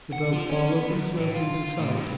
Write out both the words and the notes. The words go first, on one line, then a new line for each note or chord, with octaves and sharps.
The boat followed the smoke into sight.
F#5
F3
C#4
B3
F#2
A2
F4
F4
A2
G2